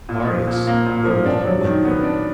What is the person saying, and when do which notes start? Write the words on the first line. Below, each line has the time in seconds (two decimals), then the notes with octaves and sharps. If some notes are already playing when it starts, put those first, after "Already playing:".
Marius no longer went there.
0.09 A#2
0.28 F3
0.47 A#2
0.67 A#3
0.86 A#2
1.05 F3
1.26 D4
1.44 F#3
1.64 D#3
1.84 B3
2.03 D4